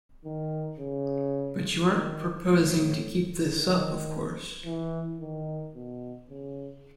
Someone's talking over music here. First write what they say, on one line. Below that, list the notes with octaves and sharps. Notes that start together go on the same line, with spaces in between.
But you aren't proposing to keep this up, of course?
D#3
C#3
D#3
A2
D#3
E3
D#3
B2
C#3